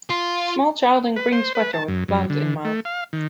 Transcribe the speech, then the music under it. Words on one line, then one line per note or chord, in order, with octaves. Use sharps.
Small child in green sweater with plant in mouth.
F4
B4
C5
B4
A5
F#2
F#2
D3
A3
F5
D#3